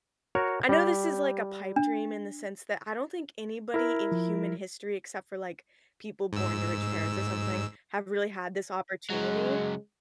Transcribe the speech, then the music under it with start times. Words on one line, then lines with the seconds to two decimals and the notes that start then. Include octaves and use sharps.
I know this is like a pipe dream in the sense that I don't think anybody in human history except for, like, people born to rich parents or something have really had this opportunity,
0.35 F#4 A#4 C#5
0.69 G3 G4
1.76 D4
3.74 E4 A#4
4.12 F3
6.33 G#2 E6
9.10 C#3 F#3 G#3